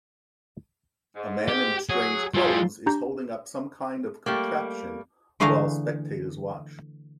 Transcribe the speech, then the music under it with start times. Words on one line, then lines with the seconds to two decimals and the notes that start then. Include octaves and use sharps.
A man in strange clothes is holding up some kind of contraption while spectators watch.
1.15 G#2
1.48 G4
1.89 F#3 G#4
2.34 G3 F4 G#4 E5 A5 C6
2.86 D4 G4 A#5 G6
4.26 G3 A3 A#3
5.40 D3 E3 A3 G#4 F5 A#5